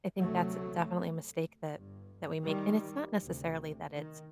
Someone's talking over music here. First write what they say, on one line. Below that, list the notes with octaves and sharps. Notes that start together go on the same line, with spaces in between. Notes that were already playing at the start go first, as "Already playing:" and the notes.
I think that's definitely a mistake that that we make, and it's not necessarily that it's,
D2 C3 F#3 A3
G1 G2
D#3 G3
D2 C3
D#3